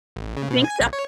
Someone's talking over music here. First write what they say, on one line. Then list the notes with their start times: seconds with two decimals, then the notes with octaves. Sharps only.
You think so?
0.16 A1
0.37 C#3
0.51 B2
0.64 G#5
0.80 B1
0.93 C#5